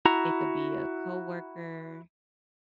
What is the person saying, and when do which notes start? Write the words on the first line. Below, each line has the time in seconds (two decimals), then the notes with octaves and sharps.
It could be a coworker,
0.05 E4 F#4 A#5